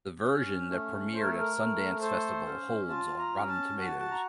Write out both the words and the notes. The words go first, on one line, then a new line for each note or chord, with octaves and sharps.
The version that premiered at Sundance festival holds on Rotten Tomatoes.
C#4
A3
A3 C5
A#4
A4
A#4
A3
A4 C5
C#4
F4 A5
A#5
C#4
A5
F#4 A5
A5
A#5